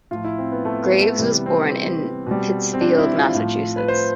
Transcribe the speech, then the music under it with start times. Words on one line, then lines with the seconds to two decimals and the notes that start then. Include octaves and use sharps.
Graves was born in Pittsfield, Massachusetts.
0.11 A2 F3 F4
0.24 E4
0.38 C4
0.52 B3
0.65 A3
0.83 B3
1.01 A3
1.19 C3 E3 G3 B3
1.46 C4
2.26 B2 G3
2.74 C4
2.81 D4
2.98 E4
3.17 F4
3.34 A2 F3
3.77 B4
3.88 C5